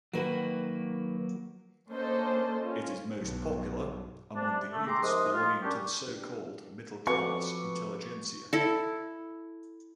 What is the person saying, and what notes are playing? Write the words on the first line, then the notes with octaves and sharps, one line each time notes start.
It is most popular among the youths belonging to the so-called "middle-class intelligentsia".
D#3 F#3 A#3 F#4 B4
A#3 C#4 D4 A4 C5 D#5
C#4 F4
B1 G2 B2
C3 G3 D4
A3
G4 G#4 A#5 C6 D6
D#2 C3 F3 G#3 D#6
F4
G3 A#3 C#4 D4 F#4 G4
D4 G4
F3 C4 F#4 A4 B4 C#6 D6
E4 A4